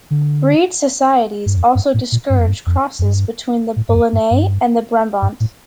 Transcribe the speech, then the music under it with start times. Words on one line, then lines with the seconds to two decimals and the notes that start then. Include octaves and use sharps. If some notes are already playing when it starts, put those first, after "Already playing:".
Breed societies also discouraged crosses between the Boulonnais and the Brabant.
0.11 D3
1.46 G2
1.57 F2
1.75 G2
1.94 A2
2.12 A#2
2.30 G2
2.39 F2
2.48 G2
2.66 F2
2.99 F2
3.03 G2
3.76 A2
3.89 G2
3.95 F2
4.13 G2
4.31 G2
5.22 G2
5.40 A2